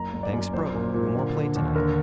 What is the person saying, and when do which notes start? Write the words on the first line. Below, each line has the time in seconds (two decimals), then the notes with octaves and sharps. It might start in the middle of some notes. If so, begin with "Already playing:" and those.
The bank's broke; no more play to-night.
Already playing: F#1 A#5
0.14 F#1
0.23 D5
0.33 F#2
0.53 A#1 C5
0.75 A#2
0.94 A#2
1.15 D3
1.35 D3
1.56 D#2
1.76 D3 A#4